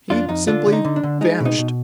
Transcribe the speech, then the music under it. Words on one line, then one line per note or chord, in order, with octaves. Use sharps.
He simply--vanished.
F2 D4 F4
F2 D#4
D3 D4 F4
D3
D#4
D3
D4
D3
G#3 D#4
B2
D#4
B2